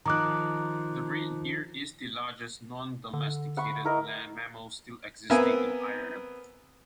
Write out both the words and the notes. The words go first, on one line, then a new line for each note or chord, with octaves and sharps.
The red deer is the largest non-domesticated land mammal still existing in Ireland.
D#3 F3 A#5 D6 F#6
D3
F#5 B5 C#6
E4 A#4 D#5
B3 C4 A#4 E5 G#5